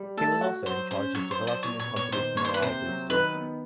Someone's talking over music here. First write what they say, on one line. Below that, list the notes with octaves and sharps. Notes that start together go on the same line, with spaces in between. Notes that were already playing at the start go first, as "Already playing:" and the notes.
He was also in charge of developing the company’s morale boosters.
Already playing: G3
A3 A4
F#4
F#3 C5
C#4 C5
F#3 C#5
C5
D4
C5
A#2 C#5
C#5
B3
C#5
D#3 C5
A#3 C#5
C5
B4
C3 C5
F#3
D#3 B4
B3